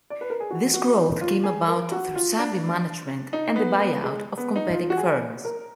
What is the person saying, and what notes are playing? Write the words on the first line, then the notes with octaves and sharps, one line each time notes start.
This growth came about through savvy management and the buyout of competing firms.
D5
B4
A#4
G#4
F#4
F#4
D#4
F4
G#4
A#4
F#4
F4
D4
D#4
B3
B3
G#3
B3
D#4
F4
F#4
G#4
A#4